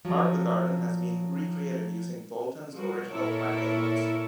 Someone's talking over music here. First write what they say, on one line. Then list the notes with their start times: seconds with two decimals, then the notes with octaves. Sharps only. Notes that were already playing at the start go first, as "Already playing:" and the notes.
Part of the garden has been recreated using Boulton's original planting notes.
0.05 F3 F#3
2.72 F3 G3 F#4
3.08 A#2 E4 A4 A#4 C#5